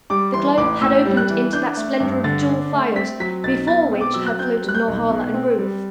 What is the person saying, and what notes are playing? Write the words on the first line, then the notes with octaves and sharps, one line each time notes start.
The globe had opened into that splendor of jewel fires before which had floated Norhala and Ruth.
G3 D6
E3 C6
A1 D6
A2 E6
G3
F#6
E3
D4 G6
A3
G2
D3 A6
D4
A3
C4 B6
F#3 B6
B1 A6
B2 A6
C4
D6
F#3 E6
F#6
C4 G6
G3
F#6
G6
B1
B2
C4
G3